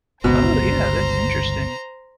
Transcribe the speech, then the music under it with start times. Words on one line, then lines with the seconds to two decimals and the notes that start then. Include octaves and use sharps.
Oh, yeah, that's interesting.
0.24 G1 C#2 B2 C5 A#5